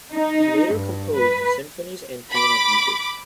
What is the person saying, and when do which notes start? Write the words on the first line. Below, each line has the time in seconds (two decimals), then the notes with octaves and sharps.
He later composed symphonies and piano pieces.
0.13 D#4
0.74 G2
1.15 B4
2.31 B5 D6